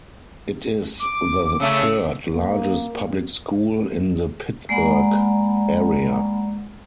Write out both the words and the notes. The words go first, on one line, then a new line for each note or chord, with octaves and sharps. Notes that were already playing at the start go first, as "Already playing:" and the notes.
It is the third largest public school in the Pittsburgh area.
D6
C#3 A3 E6
A#3
G#3 A#3 D5 F#5 A#5 B5